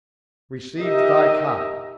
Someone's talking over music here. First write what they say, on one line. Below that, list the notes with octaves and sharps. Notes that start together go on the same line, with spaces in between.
"Received thy cart."
D#4 G4 A#4 D#5 E5